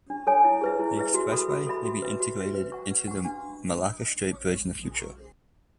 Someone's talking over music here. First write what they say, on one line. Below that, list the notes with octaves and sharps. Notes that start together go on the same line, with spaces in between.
The expressway may be integrated into the Malacca Strait Bridge in the future.
D4
A4 C#5 G#5
E4
G#4 B4 E5
E4
G#4 B4 E5
F#4
A4 E5 B5
F#4
A4 E5 B5
F#4
B4 E5
F#4
B4 E5
B4
F#5 C#6
B4
F#5 C#6
D4